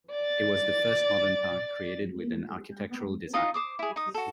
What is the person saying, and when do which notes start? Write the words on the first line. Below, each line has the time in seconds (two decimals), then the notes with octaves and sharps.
It was the first modern park, created with an architectural design.
0.11 D5 A6
3.33 D#4 F4 D#5 A#5
3.54 C5 D6 D#6
3.79 E4 G#4
3.96 D#4 D#6
4.14 F#4 A4